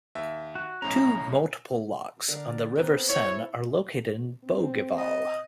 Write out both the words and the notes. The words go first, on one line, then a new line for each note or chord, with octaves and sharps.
Two multiple locks on the River Seine are located in Bougival.
D#2 E5
F#4
B1 A2 C#4 A#5
D3 A#4 D5
B3 C4 A#4
E4 A4 C#5
C4
D#5